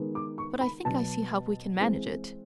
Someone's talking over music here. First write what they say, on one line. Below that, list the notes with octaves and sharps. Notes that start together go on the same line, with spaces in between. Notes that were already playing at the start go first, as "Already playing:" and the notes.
But I think I see how we can manage it.
Already playing: D#3 G#3 B3
D6
C#6
B5
B2 F#3 B3 A5
E3 G#3 C4